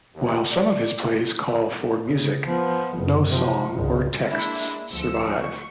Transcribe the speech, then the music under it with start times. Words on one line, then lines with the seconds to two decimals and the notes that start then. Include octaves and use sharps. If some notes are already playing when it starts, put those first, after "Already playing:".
While some of his plays call for music, no songs or texts survive.
0.15 D#2
0.52 D5
2.05 C#3
2.46 F3 B3
2.97 F#1
3.28 C3 F3
3.73 G#1 C#2
4.29 G#3 A#3 D4 E4
4.91 D2 F3 E6 C#7
5.37 C#6